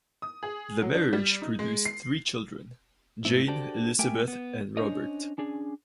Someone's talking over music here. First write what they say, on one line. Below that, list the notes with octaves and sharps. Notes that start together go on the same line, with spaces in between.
The marriage produced three children: Jane, Elizabeth, and Robert.
D#6
G#4
F#3
D4
G3
D#4
G#3
C7
G#2 A3 C4 E4
D4 F#4 G4 A4 C5 D5
A3 G4 A#4 E5 G5 G#5
B3
C#4 D4 G4 C5 C#5 D#5
C#4 D4 G#4